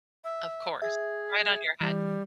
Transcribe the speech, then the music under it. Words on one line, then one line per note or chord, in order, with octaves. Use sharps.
Of course. Right on your head.
E5
G#4 E5
E3 G3